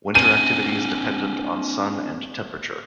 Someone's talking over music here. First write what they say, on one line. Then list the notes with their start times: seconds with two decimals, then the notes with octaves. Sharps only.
Winter activity is dependent on sun and temperature.
0.15 C4 D4 G#5 D#7